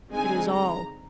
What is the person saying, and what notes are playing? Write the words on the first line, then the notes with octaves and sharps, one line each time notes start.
It is all.
D3 G#3 C4 D#4 G#5
A#5